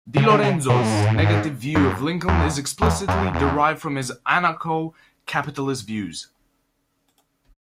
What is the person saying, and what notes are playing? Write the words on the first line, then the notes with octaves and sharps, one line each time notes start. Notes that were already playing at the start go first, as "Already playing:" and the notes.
DiLorenzo's negative view of Lincoln is explicitly derived from his Anarcho-capitalist views.
C#3
D3
C#3
B2
A2
G#2
A2
F#2
G#2
F#2
E2
E2
F#2
E2
F#2
E2